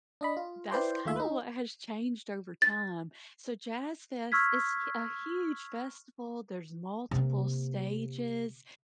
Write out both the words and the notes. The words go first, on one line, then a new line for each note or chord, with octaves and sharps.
That's kinda what has changed over time. So Jazz Fest is a huge festival, there's multiple stages,
D4 D#5 B5
F4
E4 B4 C5 D5 G5 C6
D#2 A3 F4 E5
D#4
A6
C#6 E6 F6 G#6 B6
C3 A#3